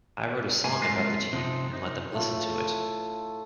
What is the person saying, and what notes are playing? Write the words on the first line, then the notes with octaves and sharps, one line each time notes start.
I wrote a song about the team and let them listen to it.
G#2 A#3 G#5
G#3 A3 C4 F4 A#4 D#5
C3 F3 C4 D#4
D#4
A2 A3 F4